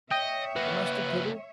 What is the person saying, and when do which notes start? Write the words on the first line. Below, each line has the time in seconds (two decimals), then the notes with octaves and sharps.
'The mustard, Prebble?
0.11 C#5 D#5 E5 G5 D#6
0.56 A#3 F#4 B4